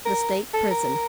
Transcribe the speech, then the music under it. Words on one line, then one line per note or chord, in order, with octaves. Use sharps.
The State Prison.
A#4
A4
A#4